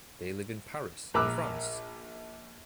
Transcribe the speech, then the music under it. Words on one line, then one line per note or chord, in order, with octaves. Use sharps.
They live in Paris, in France.
A#1 A#4 B5 D6 E6 F#6